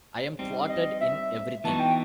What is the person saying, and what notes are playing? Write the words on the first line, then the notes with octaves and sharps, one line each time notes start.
I am thwarted in everything.
G3 C4 D#4
D#5
E5
E3 B3 D#4 F#4 A5
G5